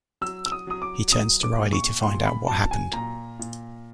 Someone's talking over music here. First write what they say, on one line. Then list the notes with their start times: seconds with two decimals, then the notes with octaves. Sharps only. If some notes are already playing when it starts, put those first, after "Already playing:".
He turns to Riley to find out what happened.
0.21 F#3 E6
0.46 E6
0.52 D#6
0.67 F#3 D#6
0.82 D6
1.12 F#3 D#6
1.43 D6
1.58 A#2
1.73 C#6
2.02 A#2 C6
2.26 B5
2.48 F#3 A5
2.71 G#5
2.93 A#2 A#5
3.39 A#2